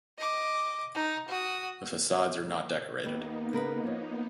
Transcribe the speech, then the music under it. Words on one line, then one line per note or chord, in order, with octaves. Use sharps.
The facades are not decorated.
D#5 D6
D#4
F#4 D#6
A#3
D#2 A#3 B3 D#4 B4
C#3 A#4 B4
F3 C#5